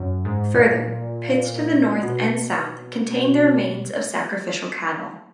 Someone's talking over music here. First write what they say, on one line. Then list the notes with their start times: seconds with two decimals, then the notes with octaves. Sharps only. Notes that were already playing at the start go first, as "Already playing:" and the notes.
Further pits to the north and south contain the remains of sacrificial cattle.
Already playing: F#2
0.25 G#2
0.54 A#2
2.02 B2